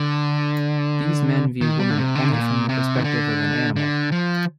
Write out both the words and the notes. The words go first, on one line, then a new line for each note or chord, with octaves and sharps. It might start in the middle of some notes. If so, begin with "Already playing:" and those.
These men view women only from the perspective of an animal.
Already playing: D3
D#3
G3
D3
C3
D3
C3
A#2
C3
D#3
D3
D3
F3